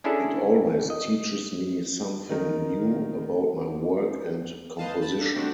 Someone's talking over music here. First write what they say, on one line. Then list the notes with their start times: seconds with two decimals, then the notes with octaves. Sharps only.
It always teaches me something new about my work and composition.
0.04 C#4 D4 E4 G#4 A4
0.90 D#5
2.29 D#3 D#4 A#4
4.78 B4 C5 D#5 F5 A5
5.02 A5 B5 A6
5.17 D4 A4 F#5
5.35 G3 A3 C4 D4 F#4 G4